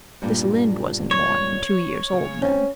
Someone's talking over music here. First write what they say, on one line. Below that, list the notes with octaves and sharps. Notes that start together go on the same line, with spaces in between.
This Lynde wasn't more than two years old then.
G2 A#2 G3
C#5
C#3
C4 C#4